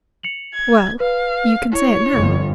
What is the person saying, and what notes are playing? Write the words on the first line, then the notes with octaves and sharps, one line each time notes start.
"Well;--you can say it now."
C#7 F7 F#7
G#6
B4 F5
E4 C#5
G1 F2 D3